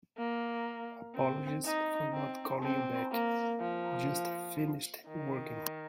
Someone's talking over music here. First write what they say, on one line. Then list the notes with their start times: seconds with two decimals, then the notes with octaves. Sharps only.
Apologies for not calling you back. Just finished working.
0.18 A#3
1.15 C4
1.65 D#4
2.13 C4
2.63 C4
3.12 A#3
3.60 F3
5.07 D#3